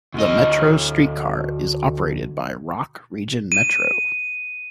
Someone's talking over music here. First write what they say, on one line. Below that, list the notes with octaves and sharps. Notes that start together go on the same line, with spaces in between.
The Metro Streetcar is operated by Rock Region Metro.
D2 D#5
D#7